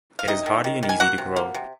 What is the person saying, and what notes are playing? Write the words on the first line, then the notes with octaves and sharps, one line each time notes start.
It is hardy and easy to grow.
F5
C3 D#4 D#5
D#3
D#3
D#3
G#5
A#3 F#4 F#5
C3
A#3
C3